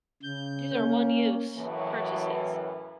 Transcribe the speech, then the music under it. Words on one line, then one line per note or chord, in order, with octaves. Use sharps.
these are one-use purchases
C#3 G6
A#3 C#4
F#2 A2 C#3 E3 F#3